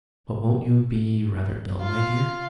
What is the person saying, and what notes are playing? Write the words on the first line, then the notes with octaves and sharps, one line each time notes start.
"But won't you be rather dull, my dear?"
F4 F5